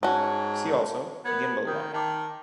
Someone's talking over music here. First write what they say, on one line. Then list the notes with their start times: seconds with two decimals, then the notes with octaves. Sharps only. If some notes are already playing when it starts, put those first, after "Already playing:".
See also: Gimbal Lock.
0.03 G#2 C#4 F#4 A5
1.25 B3 A#4 G#6
1.66 D#3 A#4 D#6 G6
1.94 D#3 A5 D6